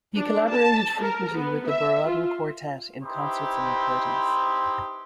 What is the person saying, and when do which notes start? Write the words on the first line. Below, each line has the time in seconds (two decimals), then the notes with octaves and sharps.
He collaborated frequently with the Borodin Quartet in concerts and recordings.
0.17 D4
0.52 A5
1.01 A#4
1.37 B3
1.68 E5
2.07 F4
3.03 C4 D#4 E4 G4 B4 C5